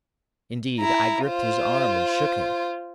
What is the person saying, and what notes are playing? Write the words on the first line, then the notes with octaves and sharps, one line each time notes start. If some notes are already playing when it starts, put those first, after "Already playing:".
Indeed I gripped his arm and shook him.
E4 A#5
F4 C5